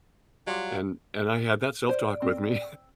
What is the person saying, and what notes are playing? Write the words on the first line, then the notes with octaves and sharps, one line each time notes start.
and and I had that self-talk with me.
F#3 G3 F4
C5 D5
C4